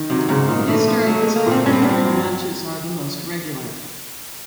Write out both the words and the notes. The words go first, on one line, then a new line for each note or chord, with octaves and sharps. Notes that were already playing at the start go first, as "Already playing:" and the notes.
It is during this period that the matches are the most regular.
Already playing: D#3
C3 F#3
G#2 C#3
A#2 D#3
E3 A3
F3 A3
F#3 A3
G#3 A3
A#3
A#2
C4
G2 C#4
C4
B3
G2 C4
F#3